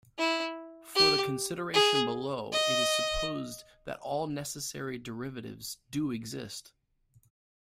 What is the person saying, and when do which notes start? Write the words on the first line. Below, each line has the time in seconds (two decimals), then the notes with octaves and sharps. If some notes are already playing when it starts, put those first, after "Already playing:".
For the consideration below it is supposed that all necessary derivatives do exist.
0.18 E4
0.96 G4
1.74 G#4
2.52 D#5